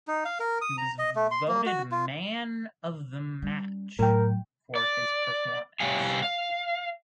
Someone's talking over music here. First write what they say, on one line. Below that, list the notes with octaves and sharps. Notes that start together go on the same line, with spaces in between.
He was voted man of the match for his performance.
D#4
F5
A#4
D#6
A#5
D#5
A3
C6
A#3
F#4
F4
G3 C#4
A2 F#3 A#4 G5
D5
C3 G3 F5 G#5
F5